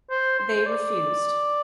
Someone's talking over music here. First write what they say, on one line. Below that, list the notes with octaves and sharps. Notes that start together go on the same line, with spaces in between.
They refused.
C5
C5
C5
D5